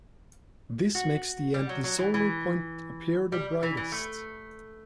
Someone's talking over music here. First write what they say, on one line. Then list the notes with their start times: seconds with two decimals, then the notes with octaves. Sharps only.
This makes the antisolar point appear the brightest.
0.95 F#4
1.54 G3
1.69 F#3
1.84 F#3
1.98 E3
2.14 E3
3.32 G3
3.63 E3
3.77 E3
3.92 A3